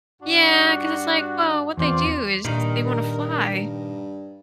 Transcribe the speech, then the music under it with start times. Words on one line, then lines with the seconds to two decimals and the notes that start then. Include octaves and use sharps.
Yeah, 'cause it's like, well, what they do is they wanna fly,
0.22 G2 D4 F#4
1.77 E2 C4 F4 D5 C6
2.45 G2 A#2 D#3 A#4